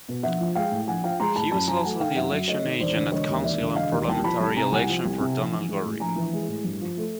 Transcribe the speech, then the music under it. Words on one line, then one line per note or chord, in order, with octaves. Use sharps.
He was also the election agent at council and parliamentary elections for Donald Gorrie.
B2
A#1 E5 F#5
F3
G#3 F5 G5
A2
A#1 F#5 G#5
F3 F5 G5
G#3 A#5 C6
A2 A5 B5
F#2 A5 B5
F#3 G#5 A#5
A5
A3 F#5 G#5
D#3 F5 G5
G5
F#2 E5 F#5
F#3
A3 C#5 D#5
D#3
E1 C5 D5
D3
E1 C#5 D#5
D#2
E1 D5 E5
D3
E1 D#5 F5
D#2
C2 G5 A5
F3 A5 B5
C2 A5 B5
C3 G#5 A#5
C2 F#5 G#5
F3
C2
C3
A#1
E3
G#3
A2
A#1 G#5 A#5
E3
G#3
A2
G2
F3
A3